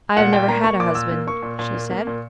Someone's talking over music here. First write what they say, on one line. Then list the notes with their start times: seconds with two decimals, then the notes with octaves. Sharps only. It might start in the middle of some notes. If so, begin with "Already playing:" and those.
"I have never had a husband," she said.
0.16 A#2 F#5
0.32 A#2 G5
0.48 A#3 A#5
0.64 A#3 C#6
0.80 A#2 D6
0.95 A#2 E6
1.11 A#3
1.27 A#3 C#6
1.42 A#2
1.59 A#2
1.74 A#3
1.91 A#3
2.07 A#2